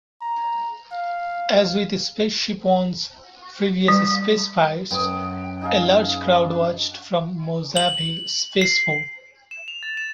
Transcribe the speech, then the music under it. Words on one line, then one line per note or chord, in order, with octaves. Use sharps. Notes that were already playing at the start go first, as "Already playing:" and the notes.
As with SpaceShipOne's previous spaceflights, a large crowd watched from Mojave Spaceport.
A#5
F5
G3
F#2 B3 G5 A5 D#6
D#4 G#4 F5
B5
D4
F#7
C7
E7
F7
A6
E7